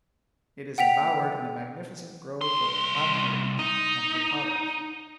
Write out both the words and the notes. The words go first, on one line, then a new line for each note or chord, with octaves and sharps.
It is embowered in a magnificent grove of plantains and papayas.
F#5 G5 B6 F7
C2 C6
D#4